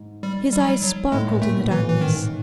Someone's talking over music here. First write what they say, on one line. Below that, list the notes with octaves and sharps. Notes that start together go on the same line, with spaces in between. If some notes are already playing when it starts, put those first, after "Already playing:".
His eyes sparkled in the darkness.
Already playing: G#2
G3
G3
F#3
G3
F#3
A2 G#3
A#2
A3
B2
E3
A2
E3
G#2 D#3